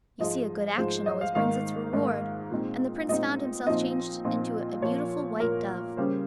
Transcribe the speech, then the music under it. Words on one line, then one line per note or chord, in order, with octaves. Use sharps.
"You see a good action always brings its reward," and the Prince found himself changed into a beautiful white dove.
G#2 F3 G#3 D#5
G#2 F3 G#3 C5
D#5
F5
G#2 D#3 A#3 D#4 F5
G#2 D#3 A#3 D#4
A#2 G#3 C4 D#4
A#2 G#3 C4 D#4 D#5
A#2 F3 C4 D#4 D#5
A#2 F3 C4 D#4
A#2 F3 A#3 C#5
A#2 F3 A#3 A#4
C#3 G3 A#3 C#4 C5